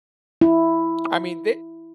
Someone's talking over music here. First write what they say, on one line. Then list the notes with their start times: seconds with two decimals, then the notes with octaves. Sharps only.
I mean, they
0.41 E4